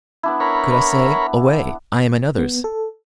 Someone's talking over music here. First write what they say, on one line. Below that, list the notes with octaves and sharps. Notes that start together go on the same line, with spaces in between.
Could I say "Away! I am another's"?
B3 D4 E4
A#4 C#5 B5
B3
A4